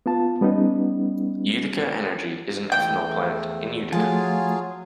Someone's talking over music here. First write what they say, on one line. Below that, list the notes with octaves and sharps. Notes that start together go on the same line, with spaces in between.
Utica Energy is an ethanol plant in Utica.
B3 F4 A5
G3 B3 C#4 D#4
E2 A3 G5
F3 F#3 A3 F4 G#4 A5